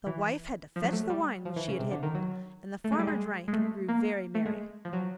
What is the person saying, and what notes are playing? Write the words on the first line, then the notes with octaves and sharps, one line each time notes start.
The wife had to fetch the wine which she had hidden, and the farmer drank and grew very merry.
E3
F3
F#3
A3
G3
F3
E3
C#3
C3
D3
D#3
F#3
A3
G#3
G3
G#3
G#3
A3
A#3
A3
G#3
F3
F#3